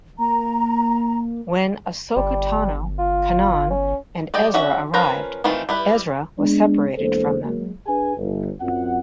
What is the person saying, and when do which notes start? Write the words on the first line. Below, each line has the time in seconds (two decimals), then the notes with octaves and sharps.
When Ahsoka Tano, Kanan and Ezra arrived, Ezra was separated from them.
0.18 A#3 A#5
2.17 G1 G3
2.99 F4
3.71 C#4
4.34 G3 D5 D#5 G5
4.54 C#4 F#4 E5
4.94 F3 C#4 A#4 B4 A#5
5.44 D#3 E3 A3 C4 F4
5.69 G3 E4 B4
6.38 G#3 B3 D4
6.98 E2 G#3 A#3 D4 A4 C5
7.44 F#3 G#3 A#3
7.86 D4 G#4 B4 G#5
8.17 G1
8.61 F#2 F#3 C4 F4 F#5